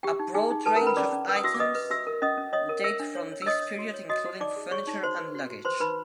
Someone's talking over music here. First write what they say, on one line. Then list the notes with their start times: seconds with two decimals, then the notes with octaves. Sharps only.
A broad range of items date from this period including furniture and luggage.
0.03 G4 G5
0.19 D#4
0.34 D#4 G#4 G#5
0.50 D#4
0.66 A4 B4 A5
0.76 A#4 A#5
0.81 C#4
0.86 B4 B5
0.97 C#4 D5 D6
1.12 C#4
1.28 B4 E6
1.36 D#6
1.44 F#4 E5 E6
1.54 D6
1.60 B4 D#5 D#6
1.75 B4
1.90 F#4 E5 E6
2.07 A#4
2.22 C#4 D#5 D#6
2.37 C#4
2.53 C#5 D#5 D#6
2.69 A#4
2.84 A#4 E5 E6
3.00 D4
3.15 C#5
3.32 C#5
3.42 E6
3.46 C#5 D#5 D#6
3.62 C#5
3.79 F#4
3.94 C#5
4.09 F#4 D#5 D#6
4.25 F#4
4.40 D#4 D5 D6
4.56 G#4
4.71 G#4 C#5 C#6
4.87 D#4
5.03 F#4 C5 C6
5.18 B4
5.35 F#4
5.50 F#4
5.65 B4 C5 C6
5.80 D#4 B4 B5